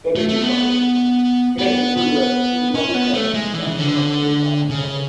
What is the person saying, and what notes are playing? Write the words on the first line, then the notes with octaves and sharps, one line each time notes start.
I think you'd find a way to find them, but, hey, this was, uh, this was lovely chatting with you. Thank you so much for your time and effort.
A3
A3
B3
B3
B3
C#4
B3
A3
G#3
E3
C#3
D3
C#3